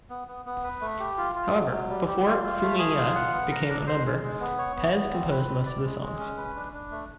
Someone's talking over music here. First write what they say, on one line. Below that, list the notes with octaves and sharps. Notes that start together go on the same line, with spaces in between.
However, before Fumiya became a member, Pes composed most of the songs.
B3
B3
B3
B4
A3
G4
F4
F4
F#3
F#3
G3
G4
F4
F4
A3
G#4
F4
F#5
B3
A#4
D4
C5
G#3
G#3
B3
C#5
B3
B3
C4
B4
C4
D5
G#3
G#3
C#4
B4
D4
D4
A3